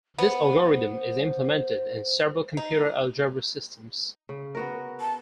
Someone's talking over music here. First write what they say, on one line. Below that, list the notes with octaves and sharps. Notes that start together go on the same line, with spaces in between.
This algorithm is implemented in several computer algebra systems.
B3 C5
C5
D#4
C#3
B3 F#4 A#4
A5